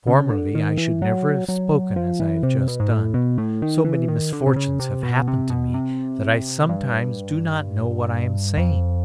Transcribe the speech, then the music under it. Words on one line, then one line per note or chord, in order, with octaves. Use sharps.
Formerly I should never have spoken as I have just done; so many misfortunes have happened to me, that I sometimes do not know what I am saying.
C#3
D3
D#3
E3
F#3
F#3
F3
E3
C3
B2
G#2
A2
B2
A2
D#3
E3
D#3
D3
C3
C#3
C3
B2
C3
B2
C3
G2
F2